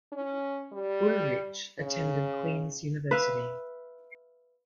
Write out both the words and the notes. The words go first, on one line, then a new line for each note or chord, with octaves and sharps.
Ullrich attended Queens University.
C#4
G3
C#3
B4 E5 F5